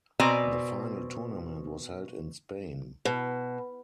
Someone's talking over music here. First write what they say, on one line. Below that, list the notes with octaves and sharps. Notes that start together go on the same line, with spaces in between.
The final tournament was held in Spain.
B2 C4 D5 G#5 A#5
B2